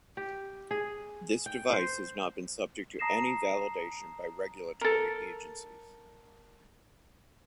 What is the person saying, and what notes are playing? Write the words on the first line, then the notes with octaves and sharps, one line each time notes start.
This device has not been subject to any validation by regulatory agencies.
G4
G#4
G5
C5
A5 A#5 D#6 A#6 C7 E7
A4 A#4